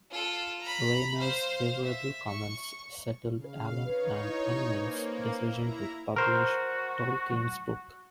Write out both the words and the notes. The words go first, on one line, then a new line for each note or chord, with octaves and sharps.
Rayner's favourable comments settled Allen and Unwin's decision to publish Tolkien's book.
F4 A4
A#5 B5
C5 F5
E5
C#6
C#3 F5
D#4 B4 C#5
E4
A#3 C#4 B4 C5
E4 A#5
F#4 A#4 C5